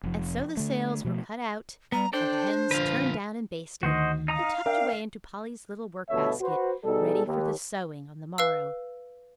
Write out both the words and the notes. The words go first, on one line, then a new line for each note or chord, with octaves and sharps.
And so the sails were cut out, and the hems turned down and basted, and tucked away into Polly's little work-basket ready for the sewing on the morrow.
F1 F3
D3 A3
B2 F3 A3
G3 B3 A#5
D4 A4 C5 D5 G5
D3 F3 B4 F5
D2 D#3 F#4 C5 D#5
D#4 F5 A#5 D#6
D4 A#4 E5 G5
G1 D2 B2 A4 C#5 E5
F#4 B4 C5
B2 G3 D#4 G#4 A4
D#2
B4 F5 E6